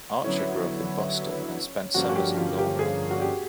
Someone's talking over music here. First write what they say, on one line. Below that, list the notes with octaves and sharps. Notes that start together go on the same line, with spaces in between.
Archer grew up in Boston and spent summers in Norwell.
D3 F#3 B3 C#4 E4
G2 D3 F3 A#3 C#4 F#4
F#4
G4
F4
G4
G#4
F#4
G4